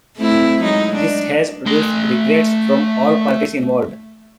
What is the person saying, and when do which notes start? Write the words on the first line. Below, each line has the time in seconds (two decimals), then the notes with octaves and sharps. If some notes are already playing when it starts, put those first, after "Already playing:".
This has produced regrets from all parties involved.
0.17 A3 C4 E4
0.61 F#3 G#3 D#4
0.95 D4
1.66 A3 C6